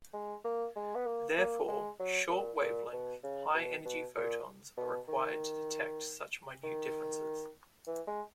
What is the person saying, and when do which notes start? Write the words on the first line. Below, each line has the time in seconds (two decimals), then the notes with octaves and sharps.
Therefore, short wavelength high energy photons are required to detect such minute differences.
0.13 G#3
0.44 A#3
0.76 G#3
0.95 B3
1.06 A#3
1.38 A#3
1.68 G#3
2.00 F#3
2.30 A#2
2.61 A#2
2.93 B2
3.23 C#3
3.54 B2
3.85 B2
4.16 A#2
4.77 B2
5.08 D#3
6.63 D#3
7.87 E3
8.07 G#3